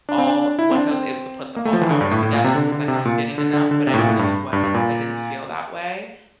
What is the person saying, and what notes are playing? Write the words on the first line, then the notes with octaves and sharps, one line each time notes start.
all once I was able to put the all the hours together, it was like I was getting enough, but I really wasn't, like, I didn't feel that way.
D4
C4
D4
E4
C4
D4
C4
A#3
A3
F3
E3
D3
G2
A2
A2
A#2
C3
D3
D3
C3
A#2
D3
D3
D3
C3
A2
A#2
A2
G2
G2
G2
A#2